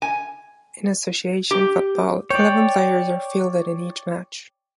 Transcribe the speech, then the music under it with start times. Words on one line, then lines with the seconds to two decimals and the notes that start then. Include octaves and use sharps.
In association football, eleven players are fielded in each match.
0.02 G#5
1.51 G4
2.30 C#5 D5 G5